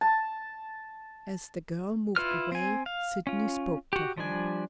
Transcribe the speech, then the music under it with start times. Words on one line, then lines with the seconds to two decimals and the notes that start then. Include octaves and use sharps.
As the girl moved away, Sydney spoke to her.
0.01 A5
2.16 E4 F4 B4 F6
2.52 C4 G#5
2.86 F5
3.27 C#4 F4
3.93 F#4 G4
4.17 F3 G3 D4 G#5